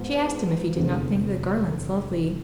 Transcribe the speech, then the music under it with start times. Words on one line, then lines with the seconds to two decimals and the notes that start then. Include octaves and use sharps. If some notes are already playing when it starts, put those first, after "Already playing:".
She asked him if he did not think the garlands lovely.
Already playing: G#2 F3 B3
0.76 F1 E2 D3